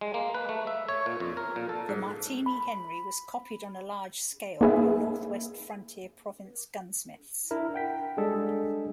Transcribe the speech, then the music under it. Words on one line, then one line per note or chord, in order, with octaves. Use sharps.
The Martini-Henry was copied on a large scale by North-West Frontier Province gunsmiths.
G#3
A#3
B4
A3
E5
C#5
A#2
F2
A#4
A#2
A4
G#2
B5
A#3 D#4 G#4 B4 E5
D4 E4 A#4
F#5 G5 B6
G3 G#3 D4 G#4 A4